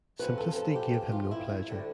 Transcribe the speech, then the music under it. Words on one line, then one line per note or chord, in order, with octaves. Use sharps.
Simplicity gave him no pleasure.
E2 C3 F3 B4
A4
A4
G4
G4
F4
E4
E4
D2 D3 G3